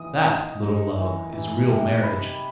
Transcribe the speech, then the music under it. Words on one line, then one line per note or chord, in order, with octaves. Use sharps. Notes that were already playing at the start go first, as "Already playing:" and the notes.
That, little Love, is real marriage.
Already playing: E3 D#4 D#6
D#4
D#4
E3
E3
C3
D#4 B5